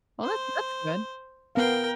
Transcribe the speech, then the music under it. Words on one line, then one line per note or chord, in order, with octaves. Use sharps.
Well, that that's good.
C5
B3 A#4 F5 G5